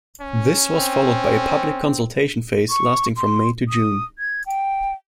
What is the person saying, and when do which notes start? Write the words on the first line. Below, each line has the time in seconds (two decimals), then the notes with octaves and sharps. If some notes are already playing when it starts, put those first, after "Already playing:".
This was followed by a public consultation phase lasting from May to June.
0.20 C#4
0.71 C4
2.70 C#6
3.17 C6
3.69 D#6
4.19 G#6
4.46 G5